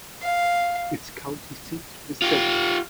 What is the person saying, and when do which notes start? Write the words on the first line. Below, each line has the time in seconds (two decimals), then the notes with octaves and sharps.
Its county seat is Centerville.
0.22 F5
2.22 F4 G4